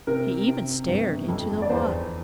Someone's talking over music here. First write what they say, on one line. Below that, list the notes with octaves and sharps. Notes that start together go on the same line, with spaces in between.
He even stared into the water.
C3 A#4
C3
G1
F2
D5
E2 C5